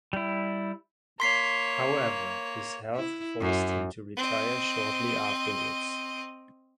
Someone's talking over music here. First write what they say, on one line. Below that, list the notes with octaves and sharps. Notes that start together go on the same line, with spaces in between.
However, his health forced him to retire shortly afterwards.
G3 E4
A#3 C#5 C6 B6 C7
E4
F#2
C4 D#5